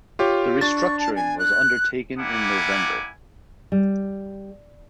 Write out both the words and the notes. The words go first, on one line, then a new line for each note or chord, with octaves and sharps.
The restructuring was undertaken in November.
F4 G4 C#5
D4 C#6 A6
A5
G#5
F#6
G3 A#3 E4 F#5 G#5 D6
G3